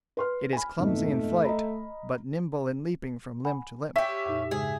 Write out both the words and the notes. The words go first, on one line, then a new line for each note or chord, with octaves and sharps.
It is clumsy in flight, but nimble in leaping from limb to limb.
B4 C6 F6
G#5 B5
F2 G#2 B2 A3
D#5 A#5 B5
F#5 G#5 B5
C#4 G4 E5
F2 A#2 D#4
G#2 C#3 G#3 G#4